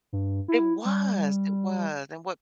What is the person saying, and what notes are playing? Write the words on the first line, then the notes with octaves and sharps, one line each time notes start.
It was! It was, and what
G2
E4
G3